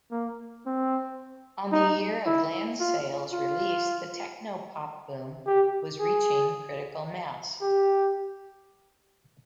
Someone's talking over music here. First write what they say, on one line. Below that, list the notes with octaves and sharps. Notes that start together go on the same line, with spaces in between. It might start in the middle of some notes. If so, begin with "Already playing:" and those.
On the year of "Landsale"'s release, the technopop boom was reaching critical mass.
A#3
C4
D#4
E4
F4
F4
G4
G#4
G4